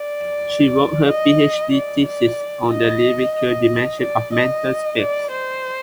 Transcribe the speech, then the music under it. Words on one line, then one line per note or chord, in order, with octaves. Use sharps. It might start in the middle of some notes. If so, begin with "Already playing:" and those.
She wrote her PhD thesis on The Lyrical Dimension of Mental Space.
Already playing: D5
D#5
D5
D5
D#5
D#5
D5
D#5
D5
C5